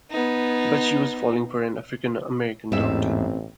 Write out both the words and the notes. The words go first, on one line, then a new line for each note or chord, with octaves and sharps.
But she was falling for an African-American doctor.
B3 D#4
A1 E2 G#2 C4 E5